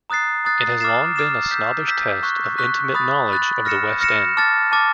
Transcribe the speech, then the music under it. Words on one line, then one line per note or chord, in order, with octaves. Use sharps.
It has long been a snobbish test of intimate knowledge of the West End.
A#5 D#6 F#6 A6 C7
A#5 D#6 F#6 A6 C7
D6 F6 A6 C7 E7
D6 F6 A6 C7 E7
E6 G6 B6
E6 G6 B6
C#6 F#6 B6
C#6 F#6 B6
B5 D#6 F#6 A6
B5 D#6 F#6 A6
F6 A#6 C#7 E7
F6 A#6 C#7 E7
A5 D6 F6 A6
A5 D6 F6 A6